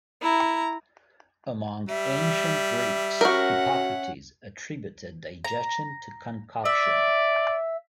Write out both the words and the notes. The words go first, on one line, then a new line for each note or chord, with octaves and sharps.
Among ancient Greeks, Hippocrates attributed digestion to concoction.
E4 A#5
G3 E5
C#4 F#4 A#4 F#5
A#5
D5 E5